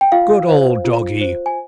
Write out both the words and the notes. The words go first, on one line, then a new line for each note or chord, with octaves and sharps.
Good old doggy!
G5
F4 F5
C5
F4
C5
G#5